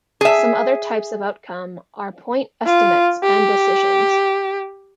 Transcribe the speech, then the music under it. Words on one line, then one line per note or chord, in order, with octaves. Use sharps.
Some other types of outcome are point estimates and decisions.
G#4 E5
F4
G4